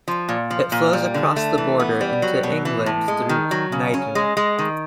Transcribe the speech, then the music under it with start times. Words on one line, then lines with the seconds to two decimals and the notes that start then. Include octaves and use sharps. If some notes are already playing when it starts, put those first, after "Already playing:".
It flows across the border into England through Knighton.
0.08 F3
0.28 A#2
0.50 F3
0.72 A#2
0.93 G3
1.14 D3
1.36 A3
1.58 E3
1.79 B3
2.01 G3
2.22 F#3
2.43 B2
2.65 E3
2.86 A2
3.08 G#3
3.29 D#3
3.51 F#3
3.72 C#3
3.94 C#4
4.15 G#3
4.37 G#3
4.59 D#3